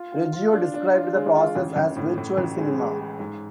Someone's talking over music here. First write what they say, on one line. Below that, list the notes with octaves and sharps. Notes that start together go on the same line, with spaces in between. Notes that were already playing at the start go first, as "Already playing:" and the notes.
Reggio described the process as "virtual cinema".
Already playing: F4
F4
F4
D4
D4
F4
G#3
F4
A1
A1
A2
A2
A1
G#3
G#3
G#3
G#2